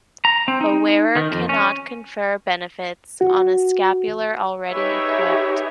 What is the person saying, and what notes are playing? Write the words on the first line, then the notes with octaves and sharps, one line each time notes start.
A wearer cannot confer benefits on a scapular already equipped.
A#5
C4
D#4
D#3
F2
C#4
F#4
D#4 G4 G#4 B4 C#5 E5